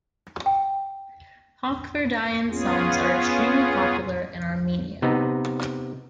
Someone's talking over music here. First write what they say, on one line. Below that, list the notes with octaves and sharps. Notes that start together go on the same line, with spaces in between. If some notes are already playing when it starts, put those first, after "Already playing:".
Hakhverdyan's songs are extremely popular in Armenia.
G5
B3 C#4 F4 G#4
C3 B3 D#4